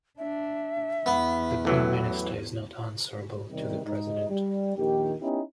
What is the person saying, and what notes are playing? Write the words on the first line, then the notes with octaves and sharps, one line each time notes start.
The Prime Minister is not answerable to the President.
D4 E5
E2 B3
A1 E3 F#3
E2 C3 D#3 G3
G#2 D#4
G3
A#1 D#2 D#3 G4
B3 C#4 D#4 E4 G4